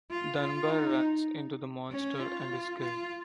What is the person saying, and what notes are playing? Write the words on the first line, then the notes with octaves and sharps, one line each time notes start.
Dunbar runs into the monster and is killed.
F4
F4
D#4
C#4
F4
F4